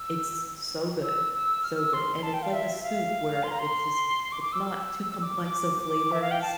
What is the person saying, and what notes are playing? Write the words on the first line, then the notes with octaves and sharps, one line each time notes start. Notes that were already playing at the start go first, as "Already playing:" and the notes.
it's so good. So good, and it's like a soup where it's just it's not too complex of flavors,
Already playing: E6
E6
E6
F6
E6
C6
A5
G5
F5
E5
F5
C6
A#5
C6
D6
D6
E6
D6
D6
E5
F5
G5
A5